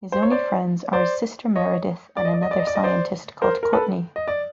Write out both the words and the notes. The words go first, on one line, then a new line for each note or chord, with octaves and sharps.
His only friends are his sister Meridith and another scientist called Courtney.
C5
C#5
C5 D5
C5 D5
C#5 D#5
D5
D#5
D5
D#5
D5
D#5
D5
D#5
C5 D5
A#4 C5
A#4
A4 B4
D#5
D5